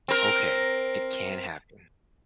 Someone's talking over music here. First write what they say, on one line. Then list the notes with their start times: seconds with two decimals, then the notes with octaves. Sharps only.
Okay. It can happen.
0.08 C4 A#4